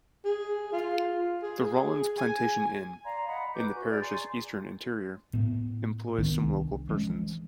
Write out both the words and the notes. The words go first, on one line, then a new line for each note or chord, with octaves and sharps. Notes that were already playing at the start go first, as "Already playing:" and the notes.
The Rawlin's Plantation Inn, in the parish's eastern interior, employs some local persons.
G#4
F4
G#4
G#5
D5 F5 A#5 C6
D#5 F#5 B5 D#6
B4 G#5 D6 G6
F#4
G#4 D5 G6 G#6
G#5 A#5 C6
A2 B3
C2 D#3 B3 D4
E3 F3 G#3 C#4